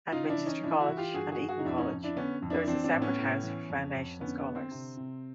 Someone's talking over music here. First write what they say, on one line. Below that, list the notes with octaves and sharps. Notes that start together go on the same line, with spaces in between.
At Winchester College and Eton College, there is a separate house for foundation scholars.
C#3 D#4 F4
D4 E4
E3
C#4 D#4
E3 D4 E4
E4 F#4
E3
F4 G4
G2 F#4 G#4
F#4 G#4
G2
F#4 G#4
D#4
F2 D4 E4
C#4 D#4
F2
D4 E4
D3 B3 C#4
F2
D4 E4
E3 C4 D4
C4 D4
A2
B3 C#4
A2
E3
F2
F2
D3 B3 C#4
B3
D3
C4
C3
C3